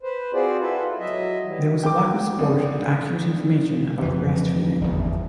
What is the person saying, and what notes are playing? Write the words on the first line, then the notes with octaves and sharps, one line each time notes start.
There was a lack of support and accurate information about breastfeeding.
B4 C5
C4 F4 F#4 G#4 C5 D5
E4 F4 A4 B4
F#3 D#5 E5
E3 G3
G5 D6
G#1 D4
F2 E3
G1 E2